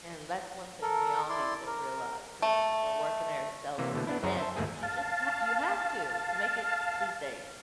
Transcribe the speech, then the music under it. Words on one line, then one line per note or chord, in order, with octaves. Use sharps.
And that's one thing we all need to realize 'cause we're working ourselves to death, but you just ha you have to, to make it these days.
A4 A#4
E4 D5 C6
A#4
A3
C3 E3 A#3
B2 D3 A3
B3 D4 E4
F#2 E4 F#4 G#4 C5 A#5
C5 E5 A5
D#2 G#2 A3 A#3 G#4
F5 A5